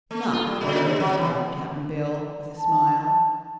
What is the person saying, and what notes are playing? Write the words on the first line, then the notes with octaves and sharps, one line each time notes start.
"Not very," replied Cap'n Bill, with a smile.
A3
F4
G3
A#2
D3
F#3
E3
A5